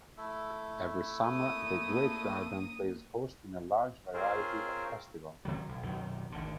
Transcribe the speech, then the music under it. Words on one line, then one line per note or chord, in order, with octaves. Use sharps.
Every summer, the Great Garden plays host a large variety of festivals.
A3 E4
A#3 D#6
C4 C#4 F4 G#4 A#4 C5
C2 C3 D#3 F#3
B1
B1 F#2 C3 D#3
G#1 D2 D3